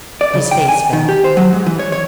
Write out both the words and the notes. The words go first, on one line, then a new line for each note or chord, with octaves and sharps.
His face fell.
D5
C#3
G5
G#5
D#3
G4
C5
F#3
G#2
E3
C#5
C#5